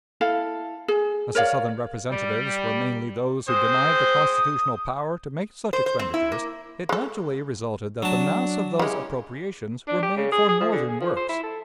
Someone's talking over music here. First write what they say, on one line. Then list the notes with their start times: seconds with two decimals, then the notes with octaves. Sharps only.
As the Southern representatives were mainly those who denied the constitutional power to make such expenditures, it naturally resulted that the mass of those appropriations were made for Northern works.
0.21 E4 A4 F5
0.88 G#4
1.35 A#4 C#5 D5 F5
2.10 G3
3.48 G#3 C4 C5 D#6
5.73 C5
5.86 C5
5.99 C4
6.14 E4
6.32 A#3
6.89 G#3 A4
8.02 F#3 D4 A5
8.79 C#3 G#3 C#4 E4 G4
9.88 D4
10.02 G4
10.17 C#3
10.32 G#4
10.48 G#4
10.60 F3
10.72 D3
10.89 G#4
11.01 F3
11.16 C5
11.29 E4
11.43 A4